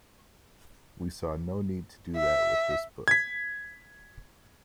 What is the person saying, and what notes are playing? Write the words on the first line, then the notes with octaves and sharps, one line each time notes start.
We saw no need to do that with this book.
E5
G#6 B6